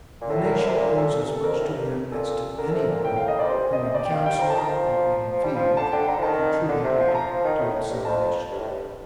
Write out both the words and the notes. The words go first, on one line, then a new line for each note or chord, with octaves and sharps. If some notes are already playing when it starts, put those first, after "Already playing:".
The nation owes as much to him as to any one who in council or in field contributed to its salvation.
A#2
A2 A4
A#4
D3 A#4
C3
A#2 A#4
A4
G2 A4
F2 A#4
A2
G2 A#4
A#2 A4
D3 A#4
C3 A4
A#4
A#2
A2 G5
F5
D#5
F2 D5
G2 C5
A#2
D#5
C3
D5
G5
D#3 F5
G3 G5
F3 A#5
D#3 A5
A#5
F3
F3
G3
F3
D3 A5
D3 G5
D3 A#5
F3
D#3 A5
D3
C3
F3
A5
A#5
F3
D#3
A2
A2
G2
F2 A5
G2
A2
G2